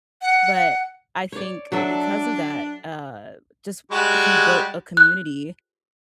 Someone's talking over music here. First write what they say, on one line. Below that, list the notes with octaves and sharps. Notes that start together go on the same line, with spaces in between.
But, I think, because of that, uh, just he built a community
F#5
C#5 D5
F#3 D4 A4 E5
G3 G#3 F#4
F#6